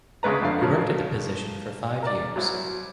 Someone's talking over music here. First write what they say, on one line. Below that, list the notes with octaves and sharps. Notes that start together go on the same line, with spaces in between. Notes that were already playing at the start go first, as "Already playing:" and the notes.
He worked at the position for five years.
D2 C#3 G#3 B4 A#5
F2 D3 F5
C#3 F3 F#3
A#4 D5
C2 F#3